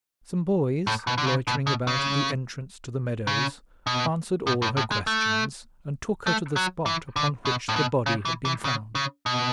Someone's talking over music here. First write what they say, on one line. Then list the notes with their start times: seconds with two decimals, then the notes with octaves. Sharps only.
Some boys, loitering about at the entrance to the meadows, answered all her questions, and took her to the spot upon which the body had been found.
0.87 A2
1.07 B2
1.18 D3
1.27 C#3
1.48 B2
1.67 B2
1.87 C#3
3.27 C#3
3.87 B2
4.47 A2
4.62 A2
4.77 A2
4.92 G#3
5.07 A3
6.27 A3
6.56 F#3
6.86 E3
7.16 D3
7.45 B2
7.69 A2
7.76 B2
8.06 C#3
8.25 E3
8.45 E3
8.65 C#3
8.95 C#3
9.26 B2